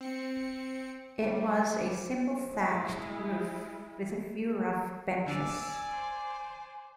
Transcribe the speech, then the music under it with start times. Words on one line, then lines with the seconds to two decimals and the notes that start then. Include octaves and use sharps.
It was a simple thatched roof with a few rough benches.
0.01 C4 C#7
1.21 G3
2.51 G#3 E4
5.26 D3 D4 D5 G#5 D6 E6
5.89 C5